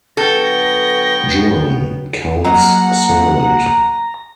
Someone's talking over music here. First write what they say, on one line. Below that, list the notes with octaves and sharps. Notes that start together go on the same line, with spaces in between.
Juan: Count’s servant.
D3 F#3 B3 A4 G5 C#6 A#6
F#3 A#3 G#4 D#5 F#5 A#5